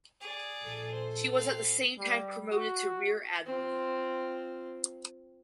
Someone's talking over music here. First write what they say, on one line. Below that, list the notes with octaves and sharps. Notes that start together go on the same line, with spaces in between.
She was at the same time promoted to rear admiral.
G#4 D5
A#1 A4
C5
C4 F5
G3
F#4
C4 F4